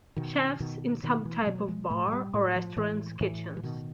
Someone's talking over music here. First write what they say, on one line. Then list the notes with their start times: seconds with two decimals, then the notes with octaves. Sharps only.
Chefs in some type of bar or restaurant 's kitchens.
0.16 B2 D#3
0.60 B2 D#3
1.03 B2 D#3
1.25 E3
1.42 G3
1.46 B2 F#3
1.68 G#3
1.90 A2 A3
2.08 F#3
2.13 G3
2.34 A2
2.56 F3
2.77 A2 E3
3.21 A2 E3
3.57 E3
3.63 B2 D#3